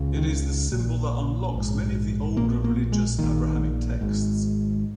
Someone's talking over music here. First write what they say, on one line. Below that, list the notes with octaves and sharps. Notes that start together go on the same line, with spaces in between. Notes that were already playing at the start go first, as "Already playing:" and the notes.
It is the symbol that unlocks many of the older religious Abrahamic texts.
Already playing: C#2 C#3
D#3
A#1 A#2
A#1 G#2
A#1 A#2 A#3
A#3
G#3
A#1 A#2 D#3
G#1 G#2